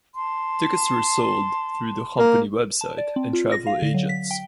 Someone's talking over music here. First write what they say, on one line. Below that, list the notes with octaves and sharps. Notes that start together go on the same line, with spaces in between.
Tickets were sold through the company website and travel agents.
A5 C6
A#3
A5
D5
C4
F4
A#6
F5
D3
F#3
B6
G5